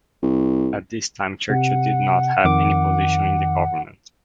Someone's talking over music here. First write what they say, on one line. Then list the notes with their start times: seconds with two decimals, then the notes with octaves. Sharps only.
At this time Churchill did not have any position in the government.
0.23 C2
1.50 C3 F#5
2.44 F2 D#3 D6